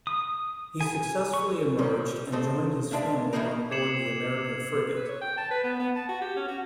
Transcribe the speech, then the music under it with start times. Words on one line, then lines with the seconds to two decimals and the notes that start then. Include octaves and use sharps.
He successfully emerged and joined his family on board the American frigate.
0.07 D#6
0.81 G#5
1.34 C#6
1.78 D#3 G3 C4 C#4
2.32 A3 C4 D#5
2.91 G#3 D4 E5 F5
3.33 E3 F#3 G3 A#3 D#4 A#4
3.71 D6 G#6 C7 C#7 E7 F#7
4.96 B4
5.08 C#5
5.21 G5
5.38 A5
5.51 B4
5.63 B3
5.79 B3
5.96 A5
6.09 F#4
6.21 G4
6.36 C#4
6.48 F#4